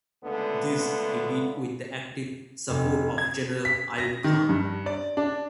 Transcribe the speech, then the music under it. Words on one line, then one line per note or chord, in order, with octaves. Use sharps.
This he did with the active support of General Ayub Khan.
C#2 D3 A3 B3
F1
G#6
B6
A#6
D#3
G2
D5
D4